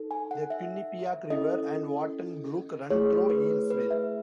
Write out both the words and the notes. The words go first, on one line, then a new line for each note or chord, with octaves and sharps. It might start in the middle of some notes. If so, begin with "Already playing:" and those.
The Quinnipiac River and Wharton Brook run through Yalesville.
Already playing: D#4 A4
G#5
F#5
E5
C#4 E4 A4 D#5
A3 E4 G#4 C#5
B4
B4
E5